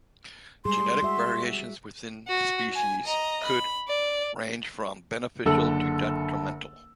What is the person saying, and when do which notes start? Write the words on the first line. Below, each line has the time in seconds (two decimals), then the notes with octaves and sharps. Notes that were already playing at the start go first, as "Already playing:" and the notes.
Genetic variation within a species could range from beneficial to detrimental.
0.65 G3 G#3 G#4 C6
1.03 F#4 E5
2.28 F#4
2.75 G#5
3.06 D#5 A#5
3.45 B5
3.88 D5
5.46 F#1 D3 A4 E6